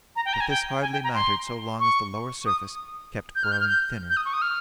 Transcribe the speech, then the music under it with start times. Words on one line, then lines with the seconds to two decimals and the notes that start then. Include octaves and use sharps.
But this hardly mattered so long as the lower surface kept growing thinner.
0.16 A#5
0.25 G5
0.33 A#5
0.41 G#5
0.49 G5
0.82 G#5
0.93 G5
1.04 A#5
1.15 C6
1.80 C#6
2.46 D#6
3.35 G6
3.43 F6
3.52 G6
3.60 F6
3.68 G6
4.10 G6
4.17 D#6
4.25 C#6
4.33 D#6
4.42 F6